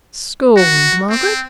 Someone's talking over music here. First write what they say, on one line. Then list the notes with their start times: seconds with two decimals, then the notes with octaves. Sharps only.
'Scorned, Margaret!
0.57 F#4
1.09 C4